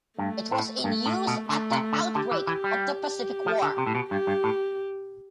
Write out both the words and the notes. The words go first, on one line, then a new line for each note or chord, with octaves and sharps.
It was in use at the outbreak of the Pacific War.
G2 A3
A2
G2 A3
A2
B2
D3 A3
C3
D3
D3 G4
E3
E3
G3
G4
F3
D3
C3
A2
B2
G2 G4
G2
A2